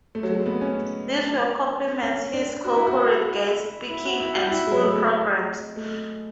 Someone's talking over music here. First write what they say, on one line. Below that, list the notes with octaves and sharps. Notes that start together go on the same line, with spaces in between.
This work compliments his corporate guest speaking and school programs.
A3
F#3
G#3
B3
C#4
C#4
D4
F#4
E4
F#4
E4
F#4
E4
F#4
E4
G#3
F#3
A3
G#3
A3